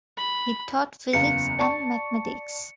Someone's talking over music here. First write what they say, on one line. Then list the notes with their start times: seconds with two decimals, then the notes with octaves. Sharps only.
He taught Physics and Mathematics.
0.17 B5
1.13 F#1 E2 F5 C#7
1.59 D5 A5 C#6